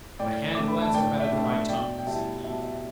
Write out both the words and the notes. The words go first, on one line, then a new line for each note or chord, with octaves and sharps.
'My hand will answer better than my tongue,' said he.
A2 D5 G5
A3 D4 D6
B5
A5
A2 D5 G5
E5
A3 D4 G5
E5
B2 D5 G5
G5
G3 E4 E5 A5
B2 E5 A5
E5